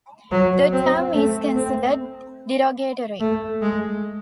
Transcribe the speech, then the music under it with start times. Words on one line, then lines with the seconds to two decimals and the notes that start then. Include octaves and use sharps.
The term is considered derogatory.
0.32 F#3
0.73 C4
1.14 A3
1.56 C4
3.20 A3
3.61 G#3